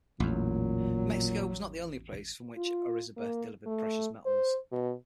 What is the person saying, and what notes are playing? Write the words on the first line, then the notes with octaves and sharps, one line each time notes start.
Mexico was not the only place from which "Orizaba" delivered precious metals.
A1 E2 A#2 F#3
F4
A#3
A3
C5
B2